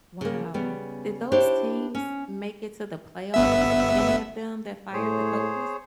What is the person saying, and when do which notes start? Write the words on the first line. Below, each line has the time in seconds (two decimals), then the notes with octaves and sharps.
Wow. Did those teams make it to the playoffs, any of them that fired the coaches?
0.21 C#3 A#3
0.54 C#3 G3 B3
1.32 D4 E4 G4 C5 C#5
1.95 C#4
3.34 G1 B3 E5
4.93 A2 G#4 C5 C#5